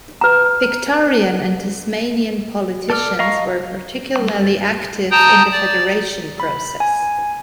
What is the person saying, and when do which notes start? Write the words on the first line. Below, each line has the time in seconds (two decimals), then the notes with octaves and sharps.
Victorian and Tasmanian politicians were particularly active in the Federation process.
0.21 B4 A#5
2.90 A4 D5 F6
3.19 D#5 F5 A#5 C#6
5.11 G5 A5 A#5 D#6 G6
5.52 D5
6.40 B5
6.80 G#5